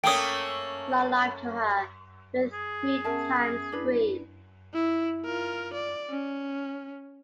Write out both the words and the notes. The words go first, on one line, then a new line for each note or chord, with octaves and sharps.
Long life to her, with three times three!
A3 A#3 C#4 G5 D#6
G#4
B3 C#4 A#4 E5 F#5 A5
D4 E4 B4
E4
F4 A#4
D5
C#4